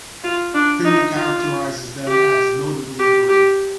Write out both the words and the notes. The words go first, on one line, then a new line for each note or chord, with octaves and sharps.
Pindar characterizes them as notably brave.
F4
D4
D#4
F4
G4
G4
G4